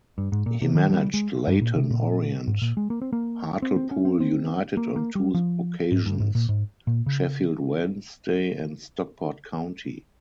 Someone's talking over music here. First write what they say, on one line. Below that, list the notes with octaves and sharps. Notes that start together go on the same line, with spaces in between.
He managed Leyton Orient, Hartlepool United on two occasions, Sheffield Wednesday and Stockport County.
G2
G#2
A#2
C3
D#3
F3
G3
G#3
G2
A#2
C3
A#2
G#2
A#2
G#3
A#3
C4
A#3
C4
C4
C#4
C4
C4
A#3
A#3
G3
F3
G#2
G2
G#2
A#2
G#2
A#2
C#3